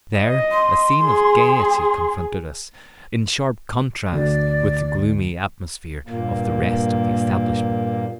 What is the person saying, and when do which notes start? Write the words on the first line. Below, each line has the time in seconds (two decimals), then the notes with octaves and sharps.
There a scene of gayety confronted us, in sharp contrast with the gloomy atmosphere of the rest of the establishment.
0.18 D#5
0.51 C6
1.02 G#4
4.13 D2 D3 D5
6.07 G2 A#2 A#3